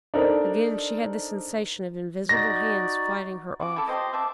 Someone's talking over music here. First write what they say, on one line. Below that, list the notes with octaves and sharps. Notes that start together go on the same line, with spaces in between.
Again she had the sensation of invisible hands fighting her off.
D4 D#4 A4 A#4 C5
D#4 F#4 D5 A#6
F#4 D6
E4 A4 D6
F4 G4 C5 D#5
E5 A5 D6